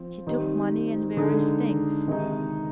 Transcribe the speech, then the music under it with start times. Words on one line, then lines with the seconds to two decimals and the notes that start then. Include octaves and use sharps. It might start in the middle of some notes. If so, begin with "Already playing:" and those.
He took money and various things....
Already playing: F3 C4 F4
0.27 D#3 G3 C4 D#4
1.17 D3 G#3 D#4
2.07 C3 D#3 G#3 D#4